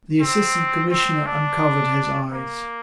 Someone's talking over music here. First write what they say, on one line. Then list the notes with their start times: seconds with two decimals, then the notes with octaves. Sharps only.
The Assistant Commissioner uncovered his eyes.
0.21 C4
0.91 C4
1.26 D4
2.32 A#3